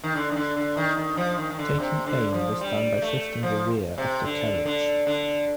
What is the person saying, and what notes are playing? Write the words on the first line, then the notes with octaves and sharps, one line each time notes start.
Taking aim was done by shifting the rear of the carriage.
D#3
D3
D#3
D3
D3
D#3
D#3
F3
D#3
D#3
D3
C3
D3
F3
G3
A3
F3
C3
D3
D3
D3